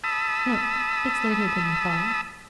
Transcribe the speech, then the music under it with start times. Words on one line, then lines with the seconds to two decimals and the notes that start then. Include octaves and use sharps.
'Look! it's later than I thought.
0.04 A5 B5 D#6 E6